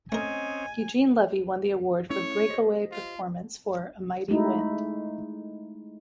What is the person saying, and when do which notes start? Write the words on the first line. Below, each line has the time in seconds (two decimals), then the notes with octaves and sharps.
Eugene Levy won the award for Breakaway Performance for "A Mighty Wind".
0.12 A3 C4 C#4 A#4 D#5 G#5
2.10 A3 C#4 E4 C#5
2.49 G4 C5 D#5
2.92 F4
4.28 G#3 A3 D#4 E4